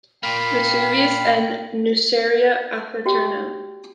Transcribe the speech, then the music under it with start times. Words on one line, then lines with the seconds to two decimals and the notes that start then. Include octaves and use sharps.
Vesuvius and Nuceria Alfaterna.
0.23 A#2 A#3 F5 G5 B5
3.06 F#4 G4 G5